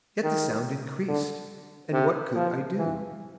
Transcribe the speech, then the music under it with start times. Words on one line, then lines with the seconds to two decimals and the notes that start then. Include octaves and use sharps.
Yet the sound increased--and what could I do?
0.23 D#3
1.08 D3
1.93 C3
2.36 F3
2.78 E3